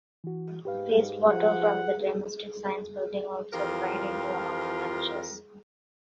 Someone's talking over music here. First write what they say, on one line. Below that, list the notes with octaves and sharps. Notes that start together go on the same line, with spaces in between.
Waste water from the Domestic Science building also drained into one of the trenches.
E3 F#4
G#2 G4 B4 F5
F3 F#5
F2 E3 F3 F4 G4 A#4